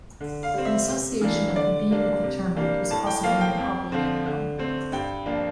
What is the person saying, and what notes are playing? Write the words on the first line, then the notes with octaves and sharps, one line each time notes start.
The association of the bee with the termite is possibly an obligate one.
D3
F5
G3 C4
E5
C3
E3 A#3 D4
D3 D5
G3 A#3 D4
C3
G3 A#3 D4
A2 A5
G5
F3 A#3 F5
G5
F2
D3 F3 C4
D3
A3 C4
G2 G5
F3 A#3 D4